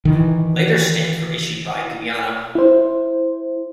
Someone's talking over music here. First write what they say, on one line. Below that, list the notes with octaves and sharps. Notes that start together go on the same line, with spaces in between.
Later stamps were issued by Guyana.
D#3 E3
E4 C5